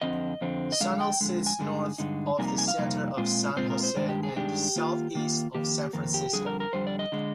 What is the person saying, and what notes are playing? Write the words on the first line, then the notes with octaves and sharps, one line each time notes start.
Sunol sits north of the center of San Jose and southeast of San Francisco.
F2 D3 F3 C4 D#5
F2 D3 F3 C4
D#5
F2 D3 G#3 F5
G5
F2 D3 G#3
G#5
G2 D3 G#3 D#4
G2 D3 G#3 D#4
F2 C3 G3 A#3 D#4 G#5
A#5
G#5
F5
F2 C3 G3 A#3 D#4
A#2 G#3 C4 F4
A#2 G#3 C4 F4 C5
A#4
C5
G2 D#3 G#3 D4 D5
G4
G#4
G2 D#3 G#3 D4 G4
D#3 A#3 F4
D#3 A#3 F4
F2 D#3 A#3 G4
F2 D#3 A#3
G4
F2 D3 G3 G#4
A#4
A#4
F2 D3 G3 C5
D5
D#5
D3 G#3